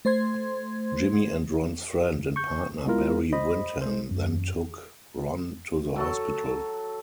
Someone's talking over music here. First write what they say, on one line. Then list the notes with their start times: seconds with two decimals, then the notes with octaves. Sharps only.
Jimmy and Ron's friend and partner Barry Windham then took Ron to the hospital.
0.05 A3 C5 C6 G#6
2.36 C#6 G6
2.86 G#3 B3 E4 F4 A#4
3.32 C5 D#5 B5
3.82 G#3 C5
4.11 F#2
5.96 F#3 A4 C#6